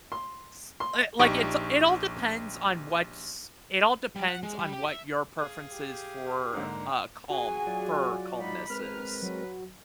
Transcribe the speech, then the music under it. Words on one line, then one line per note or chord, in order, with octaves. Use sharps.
s uh, like it's, uh it all depends on what's it all depends on what your preference is for, uh, calm for calmness is.
C6
C6
A#1 D#4 G4 C#6 D7
G3
F#5
G#3
G3
G4
E5
G#4 F5
G4
G#2 D3 A#3 D4 A#5
F#4 G#4 G#5
F#3 F4 D5
D#4 B5
G#3 C4 A#4 B4 F6
F#3